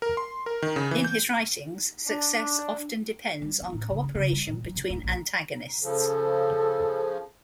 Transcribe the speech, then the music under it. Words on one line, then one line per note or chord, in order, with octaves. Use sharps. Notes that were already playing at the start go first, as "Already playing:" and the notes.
In his writings, success often depends on cooperation between antagonists.
A#4
C6
A#4
D#3
C#3
E3
G6
D4
G3
B3
A2
C#3
C#4
C#3
G3
A#2
F#3
C3
D1
A#1
C#3 F3 A4